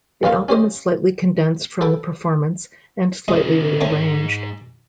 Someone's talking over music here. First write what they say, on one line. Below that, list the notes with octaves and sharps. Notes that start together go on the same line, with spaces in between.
The album is slightly condensed from the performance and slightly re-arranged.
A#1 D#2 A#3 F4
C#4 G4 C5 D#5
A4 B4 F#5 G5
C#3 G#3 B3 D#5
G#2 G#3 A3 C4 C#5